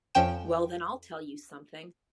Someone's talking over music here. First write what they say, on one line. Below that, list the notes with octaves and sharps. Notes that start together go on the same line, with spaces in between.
Well, then, I'll tell you something.
F2 F3 C#4 G5 E7